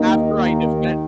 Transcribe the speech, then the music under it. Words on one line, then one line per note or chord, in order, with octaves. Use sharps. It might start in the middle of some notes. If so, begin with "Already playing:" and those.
after I defend
Already playing: D#2 D#3 A#3 D#4
A#3 D#4